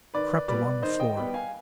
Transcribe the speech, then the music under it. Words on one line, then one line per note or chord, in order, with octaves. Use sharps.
I crept along the floor.
D#3 B4 D5
G3 B3 B4 D5
D#3 C5 D#5
D#5 G5
G3 B3 G5 B5
F5 G#5